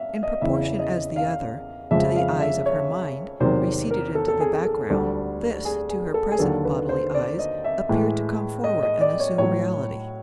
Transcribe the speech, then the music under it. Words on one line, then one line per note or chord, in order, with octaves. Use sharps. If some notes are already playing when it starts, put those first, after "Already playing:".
In proportion as the other, to the eyes of her mind, receded into the background, this, to her present bodily eyes, appeared to come forward and assume reality.
Already playing: E5 F5
D#5
E2 C#3 E3 E5
D#5
F5
F2 C#3 F3 G#3 E5
F5
E5
C#5
E2 C3 D#3 F#3 C5
A#4
A4
A4
G#4
A4
D2 D3 G3 A4
G#4
G#4
A4
G#4
D#2 D3 F#3 A4
B4
C5
D5
D#5
E5
A2 E3 G#3
D#5
D#5
D5
C#5
A2 F#3 C#5